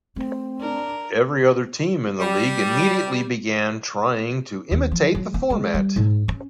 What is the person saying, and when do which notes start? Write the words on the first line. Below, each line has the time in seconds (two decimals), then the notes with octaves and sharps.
Every other team in the league immediately began trying to imitate the format.
0.16 A3 C4
0.61 D4 A#4
2.19 G3
4.71 D#2
4.92 F3
5.15 F#3
5.34 A#3
5.50 G#3
5.74 G3
5.96 G#2
6.28 C#4